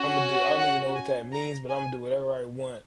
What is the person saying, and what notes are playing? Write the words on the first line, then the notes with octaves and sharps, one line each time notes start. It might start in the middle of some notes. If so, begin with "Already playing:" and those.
Imma do, I don't even know what that means, but Imma do whatever I want.
Already playing: C#4 F#4
F#5
G#5
A#5
G#5